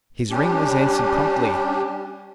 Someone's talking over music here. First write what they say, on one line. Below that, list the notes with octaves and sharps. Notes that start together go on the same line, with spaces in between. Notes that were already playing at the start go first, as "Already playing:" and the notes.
His ring was answered promptly.
G3 C#4 D4 G4